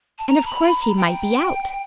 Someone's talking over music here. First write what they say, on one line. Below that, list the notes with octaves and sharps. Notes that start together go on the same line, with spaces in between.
And of course, he might be out.
A5
A#5
B5
B5
A#5
G5